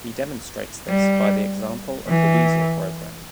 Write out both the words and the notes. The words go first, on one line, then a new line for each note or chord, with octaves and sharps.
He demonstrates this by the example of the weasel program.
G3
E3